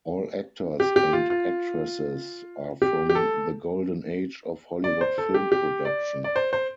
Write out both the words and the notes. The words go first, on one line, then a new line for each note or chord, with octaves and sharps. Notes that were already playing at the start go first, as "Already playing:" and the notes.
All actors and actresses are from the "Golden age" of Hollywood film production.
G4
G4
F4
F4
G4
G4
A4
D5
C5
A4
G4
G4
D5
D5
C5
C5